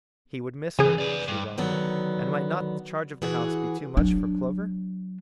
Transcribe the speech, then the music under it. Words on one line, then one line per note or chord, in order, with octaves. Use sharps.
He would miss her, she well knew, and might not the charge of the house be too much for Clover?
C#3 E3 G#4
B4 D5
G2
D3 D#3 F#3 B3
E3 F#4 G#4
F#3 D4